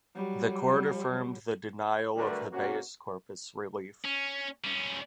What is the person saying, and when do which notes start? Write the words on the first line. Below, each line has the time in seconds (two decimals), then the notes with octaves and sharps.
The court affirmed the denial of "habeas corpus" relief.
0.15 F#3 G3
2.16 D3 G3 A3 F#4 A#4 B4
2.52 C3 A#3 C#4 F#4
4.05 C#4
4.64 G3 C#4